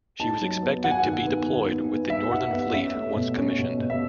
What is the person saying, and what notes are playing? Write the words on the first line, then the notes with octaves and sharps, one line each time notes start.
She was expected to be deployed with the Northern Fleet once commissioned.
D#4 A5
F#3
B3
B3 F#5
G#5
F#5
D#3
B3
D#3
B3
B3
B3 E5
D#4 F#5
B3 E5
C#4 E5
A3
B2
C#4
B2
B2
E5